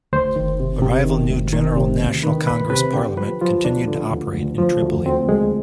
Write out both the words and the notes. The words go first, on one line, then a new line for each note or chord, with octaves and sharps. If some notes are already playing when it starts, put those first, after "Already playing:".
A rival New General National Congress parliament continued to operate in Tripoli.
D2 C5
D#3
C3
C3
D#3
D2
D#3
C3
D2
D#3 B4
D2 B4
C3 B4
D3 G4
F3 B4
F3 F4
D2 D4
D3
D2
D2
F3
D2
D2 C4
D2 G#3